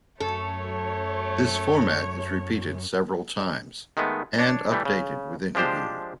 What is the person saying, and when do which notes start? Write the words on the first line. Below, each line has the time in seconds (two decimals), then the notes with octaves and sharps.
This format is repeated several times and updated with interviews.
0.20 F#2 A3 A4 C#5
3.97 D#3 G#3 A3 B3
4.38 D4 C#5
4.72 E3 G3 A3
4.85 C#3
5.55 F3 G#3 D4 G4 C5